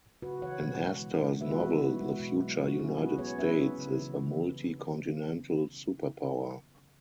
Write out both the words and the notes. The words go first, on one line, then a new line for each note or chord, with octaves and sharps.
In Astor's novel, the future United States is a multi-continental superpower.
C#3 F#4 B4
E3 C#5 F#5
B2
G#3
E3
G#3
B3 B4 E5
F#4 B4
B3 E4
F#4
E3 E4
G#3 F#4
B2
F#3
C#4 F#4
C#4 E4 G#4
B3 F#4 B4
B3 G#4 C#5
C#4 B4 E5
C#4
C#3
E3